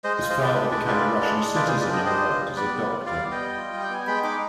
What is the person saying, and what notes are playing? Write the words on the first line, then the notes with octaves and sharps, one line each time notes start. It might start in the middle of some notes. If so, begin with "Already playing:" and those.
His father became a Russian citizen and worked as a doctor.
G#3 C5 D#5
C5 D#5
F4
C5 D#5
G#3 B4 D5
D4 G4 B4
G#3 B4 D5
F4 B4 D5
G#3
D4
G#3
F4 B4 D5
G#4 C5
G#3
B4 D5
D4 D#5 G5
G3 C5 D#5
F4
G3
B3 B4 D5
G3
F4
G3 D5 F5
B3
D#5 G5
G3
F4
G3
G5
B3 G#5
G#3 G5 B5
D#4 B5 D6